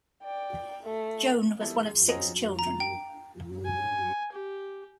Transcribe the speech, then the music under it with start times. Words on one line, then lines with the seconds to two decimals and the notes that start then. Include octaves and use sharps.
Joan was one of six children.
0.23 D5 G5
0.82 A3
1.60 E3 G3 B3 E4 A4
1.79 G#3
2.08 C4 C#4 F#4 G#4 D#5 A#5
2.59 A#5
2.80 G5
3.65 G#5
4.32 G4